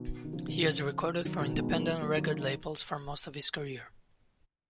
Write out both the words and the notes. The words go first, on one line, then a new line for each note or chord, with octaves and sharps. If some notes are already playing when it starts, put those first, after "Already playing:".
He has recorded for independent record labels for most of his career.
Already playing: B2 D#3
D#3
C#3 F3
B2 D#3
C#3 F3
D#3 F#3
B2 D#3
G#3 B3
F#3 A#3
F#3 A#3
D#3 F#3
D#4